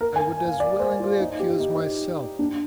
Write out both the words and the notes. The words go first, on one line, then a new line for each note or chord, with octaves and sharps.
I would as willingly accuse myself!
A#4
G#5
F5
D5
C5
F4
D#4
G4
D#4
D4